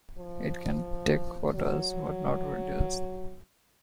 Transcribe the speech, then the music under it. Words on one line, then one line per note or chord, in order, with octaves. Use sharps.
It can take photos but not videos.
F3
F#3